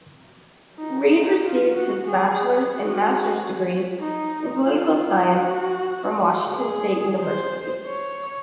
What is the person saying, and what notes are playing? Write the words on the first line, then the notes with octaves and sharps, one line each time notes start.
Reed received his bachelor's and master's degrees in political science from Washington State University.
D#4
D#4
F4
F#4
G#4
F#4
D#4
F4
F4
F#4
G#4
C5
C#5